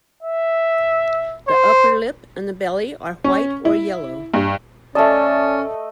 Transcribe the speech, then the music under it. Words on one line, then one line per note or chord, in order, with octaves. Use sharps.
The upper lip and the belly are white or yellow.
E5
C5
C#4
E4
G2
A3 C#4 D5 D#5 A5